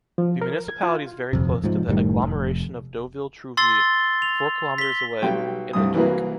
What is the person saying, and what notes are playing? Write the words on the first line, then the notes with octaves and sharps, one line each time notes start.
The municipality is very close to the agglomeration of Deauville-Trouville, four kilometers away, in the Touques.
F3
A#4
G#6
F4
D#1 F2 C3
G#2 F3
F#1 A2 D#3 G3
F1
C6 E6 A6 C7 G7
F7
B6 G7
B1 G3 G5
C2 G2 D#6
C2 E3 F#3 A#3 B4